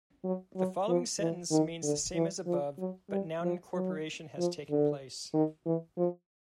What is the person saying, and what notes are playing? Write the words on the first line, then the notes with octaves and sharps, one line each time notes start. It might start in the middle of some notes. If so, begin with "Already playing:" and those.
The following sentence means the same as above, but noun incorporation has taken place.
F#3
F#3
F3
E3
D#3
D3
E3
F3
F#3
G3
F3
F#3
F3
D3
D#3
E3
F3